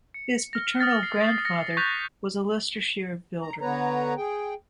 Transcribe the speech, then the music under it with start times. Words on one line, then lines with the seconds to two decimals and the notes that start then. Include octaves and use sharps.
His paternal grandfather was a Leicestershire builder.
0.14 C#7
0.53 F6 A#6
0.80 D#6 F6 A6
1.03 C7
1.45 F6 A#6 C#7
1.77 C#6 F#6 G6 A6 B6 F7
3.42 A#5
3.61 D3 B3 B4 C#5 A#5
4.17 G#4 G5